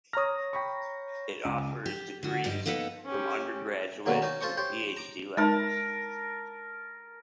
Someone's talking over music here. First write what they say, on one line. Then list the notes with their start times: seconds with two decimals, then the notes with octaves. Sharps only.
It offers degrees from undergraduate to PhD level.
0.13 C#5 A#5 D#6 F6 A#6
0.53 G5 B5 C#6
1.45 C#2
1.86 G4
2.23 D3 F#4
2.44 G2 G3 D#4 G4
2.66 A#3 B3 D#4 A4 B4
3.05 C#4 G4
4.06 B2 D3 D#3 F#3 A#3
4.22 C#4 D#4 D#5
4.41 F4 A4 C5 D#5 C#6
4.57 G4 C5 C#5
4.97 A#5 D6
5.37 G#3 D#4 A#4 A5